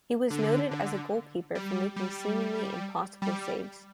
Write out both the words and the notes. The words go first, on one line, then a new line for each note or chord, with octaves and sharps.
He was noted as a goalkeeper for making seemingly impossible saves.
D3
D3
G3
G3
G3